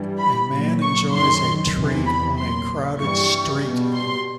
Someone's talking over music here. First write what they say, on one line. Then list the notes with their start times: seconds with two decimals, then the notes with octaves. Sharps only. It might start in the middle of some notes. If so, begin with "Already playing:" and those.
A man enjoys a treat on a crowded street.
Already playing: G2 E3 G3
0.18 B5
0.50 A#2 F#3
0.82 C#6
1.12 F#2 D#3 F#3 C6
1.76 E2 C3 E3
2.06 B5
2.38 A#2 F#3 C6
3.00 G2 E3 G3 C#6
3.63 B2 G3
3.94 C6